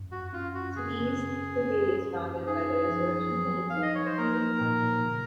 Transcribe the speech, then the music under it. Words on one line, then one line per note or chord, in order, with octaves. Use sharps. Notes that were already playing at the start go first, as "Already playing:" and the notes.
To the east, the bay is bounded by the Resurrection Peninsula and Day Harbor.
Already playing: F#2
F#4
C#4 F4
F#4
C#3 G#4
C#4
F#2
F#2
D#4 G#4
F3
F#3
D#4 F5
D#5
C#5
C5
A#3 A#4
A#2
C#3